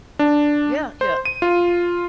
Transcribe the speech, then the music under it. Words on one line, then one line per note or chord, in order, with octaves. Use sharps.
Yeah, yeah,
D4
C5
D#7
F4